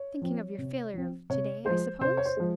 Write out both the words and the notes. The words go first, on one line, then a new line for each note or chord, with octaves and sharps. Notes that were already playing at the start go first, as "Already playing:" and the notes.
"Thinking of your failure of to-day, I suppose?"
Already playing: C#5
F3 C4
C3
F3 C4
C3 C#5
F3 G#3 C5
C3 C5
C#5
C5
F3 G#3